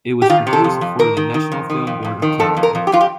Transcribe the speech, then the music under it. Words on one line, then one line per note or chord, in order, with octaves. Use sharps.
It was produced for the National Film Board of Canada.
G4
D#3 F4
C3
A4
F2
F2
D#3 A#4
D#3
D#3
F2
D#3
F2
F2
D#3
F2 A4
F2
A#4
F2
G4
F2 F4
G4